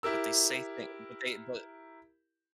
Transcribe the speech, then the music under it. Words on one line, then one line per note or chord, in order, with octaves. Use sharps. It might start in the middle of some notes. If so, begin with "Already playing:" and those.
But they say thing but they, but
E4 G4 A#4 E6